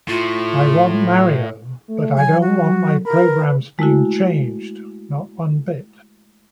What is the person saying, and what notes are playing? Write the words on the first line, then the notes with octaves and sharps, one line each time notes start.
I want Mario, but I don’t want my programs being changed, not one bit!
A2 F4
A3
F#3 G#5
F#4
A#4 B5
B4
G#3 A3 E4 F#4